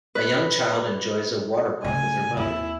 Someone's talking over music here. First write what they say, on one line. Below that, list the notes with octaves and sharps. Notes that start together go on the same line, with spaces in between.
A young child enjoys a water park with her mother.
B4
C#3 A3 G#5
D#2 C4 E4